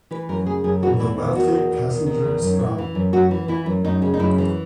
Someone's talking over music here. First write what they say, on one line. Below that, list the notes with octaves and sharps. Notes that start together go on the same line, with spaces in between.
The wealthy passengers drown.
E3 B4
F#2 A#4
C#3 G#4
F#2 G#4
E3 F#4
E2 E4
D#3
D#3 F#4
E2
E2
D#3
D#3
E2
F#2
E3
E3
F#2
F#2 F#4
E3
E3 E4
F#2
F#2 D#4
C#3
D#4
F#2 E4
E3